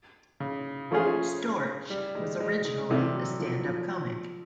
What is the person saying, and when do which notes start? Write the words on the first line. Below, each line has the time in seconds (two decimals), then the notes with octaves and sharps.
Storch was originally a stand-up comic.
0.40 C#3
0.91 F3 A3 C#4 F4 G#4
1.90 G3
2.15 G#3
2.40 G#3
2.65 G#3
2.90 C3 E3 G3 A3
3.15 F#3
3.40 F3
3.65 F3